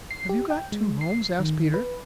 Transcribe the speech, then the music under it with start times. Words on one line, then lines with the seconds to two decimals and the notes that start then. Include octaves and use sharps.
"Have you got two homes?" asked Peter.
0.11 C7
0.29 G4
0.50 G5
0.72 G#3
1.01 C7
1.39 D#3
1.74 B4